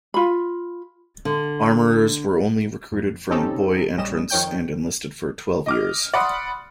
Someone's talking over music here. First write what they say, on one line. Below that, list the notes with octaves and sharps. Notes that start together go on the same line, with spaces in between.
Armourers were only recruited from boy entrants and enlisted for twelve years.
F4 B5
D3
F2
C4 C#4 D#4 G4 A4
A#1 G3 C#4 D#5 E7
F2 D#3 C#5 G5 G6
D#5 D6 F6
D5 F#5 B5 C6 D#6